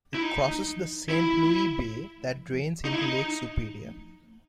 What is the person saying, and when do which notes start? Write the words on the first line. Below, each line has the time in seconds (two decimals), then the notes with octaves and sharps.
It crosses the Saint Louis Bay that drains into Lake Superior.
0.14 E4
0.22 D#4
1.09 E4
2.85 D#4
2.93 E4
3.01 D#4